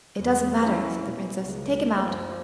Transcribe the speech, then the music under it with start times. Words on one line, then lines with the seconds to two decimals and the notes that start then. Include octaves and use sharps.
'It doesn't matter!' said the Princess. 'Take him out!'
0.18 E2
0.62 C#4 E4
1.02 B2
1.42 C#2 G#3
2.02 F#2 F3